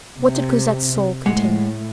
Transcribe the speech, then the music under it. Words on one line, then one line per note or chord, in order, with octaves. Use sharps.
What did Cosette's soul contain?
C3
A2 G#3 F#5